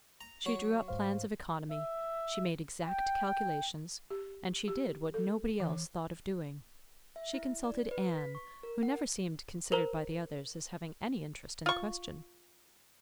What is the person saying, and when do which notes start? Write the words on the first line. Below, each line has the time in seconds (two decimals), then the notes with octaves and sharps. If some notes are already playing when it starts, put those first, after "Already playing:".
She drew up plans of economy, she made exact calculations, and she did what nobody else thought of doing: she consulted Anne, who never seemed considered by the others as having any interest in the question.
0.21 A#5
0.46 F#3 C#5
0.88 G#2 C5 F5
1.71 E5
2.87 G5
4.10 G4
4.68 G4
5.14 A4
5.60 E3
7.16 E5
7.34 E4
7.64 D5
7.91 B4
8.18 B6
8.35 C#6
8.63 A#4
8.83 F#5
9.72 A#4 C5 A#5
11.66 F4 C#6